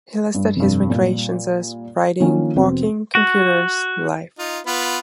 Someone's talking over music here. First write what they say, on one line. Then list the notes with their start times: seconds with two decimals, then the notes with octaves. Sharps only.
He listed his recreations as "writing, walking, computers, life".
0.34 G2
0.56 F1 G2
0.90 A#2 G3
2.20 D#3 F3 A#3 C#4 D4 F4
2.56 F1 B3 C4 F#4
3.15 F#4
4.39 D#4 F4
4.66 B3 F4 B4